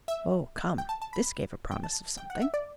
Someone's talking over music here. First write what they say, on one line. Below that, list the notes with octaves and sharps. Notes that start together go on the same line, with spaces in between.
Oh come! this gave a promise of something.
E5
G5
A5
A5
B5
G5
A5
G5
F#5
E5
D5